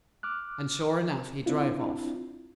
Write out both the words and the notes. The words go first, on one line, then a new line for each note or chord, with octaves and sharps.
And sure enough, he drove off.
D6 F6 F#6
C4 D4 E4 F4